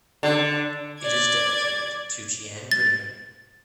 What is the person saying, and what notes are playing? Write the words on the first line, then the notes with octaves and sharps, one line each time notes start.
It is dedicated to Jeanne Granier.
D3
D5 G#6
A6